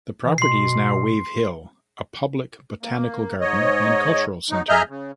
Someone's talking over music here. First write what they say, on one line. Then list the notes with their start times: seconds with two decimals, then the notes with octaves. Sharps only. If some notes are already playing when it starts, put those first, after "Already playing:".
The property is now Wave Hill, a public botanical garden and cultural center.
0.25 E3
0.38 B2 C6 C7
2.83 A#3
3.41 G#2 C#5 D#5
4.50 F#3 D#4
4.69 G#4 D#5 E5 A#5 F6 G6
4.89 C#3